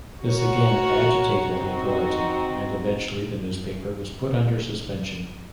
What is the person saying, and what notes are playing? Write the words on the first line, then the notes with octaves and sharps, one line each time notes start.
This again agitated the authority and eventually the newspaper was put under suspension.
F#4 A#4 C#5 F#5
C4 D#4 F#4